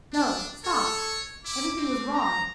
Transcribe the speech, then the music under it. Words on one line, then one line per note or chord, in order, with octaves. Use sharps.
No, stop! Everything was wrong.
D4
A4 C#5
E4 D6
C4
A#5